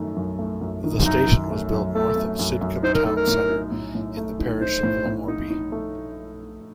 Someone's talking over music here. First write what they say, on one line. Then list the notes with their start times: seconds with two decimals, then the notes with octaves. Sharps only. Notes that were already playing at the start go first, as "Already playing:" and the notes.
The station was built north of Sidcup town centre in the parish of Lamorbey.
Already playing: F#2 D#3 A3
0.16 F#2
0.39 A3
0.61 F#2
0.84 D#3
1.05 F#2 D#4
1.27 D#3
1.51 A3
1.72 F#2
1.95 A3 A4
2.16 A3
2.39 F#2
2.61 F#2
2.83 D#4 C5
2.95 A#4
3.06 A3 A4
3.17 A#4
3.27 A2
3.50 D#4
3.72 A2
3.95 A2
4.17 A3
4.39 D#4
4.61 D#4 C5
4.83 A2
5.06 A2
5.28 D#4
5.50 D#4
5.72 A3